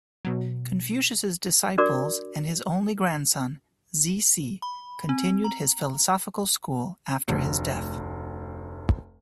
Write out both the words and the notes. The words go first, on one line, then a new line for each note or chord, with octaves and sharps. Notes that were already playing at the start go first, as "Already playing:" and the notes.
Confucius's disciples and his only grandson, Zisi, continued his philosophical school after his death.
B2 F#3
D4 F#4 A#4 D5 D6
B5
C4
A#5
F1 D2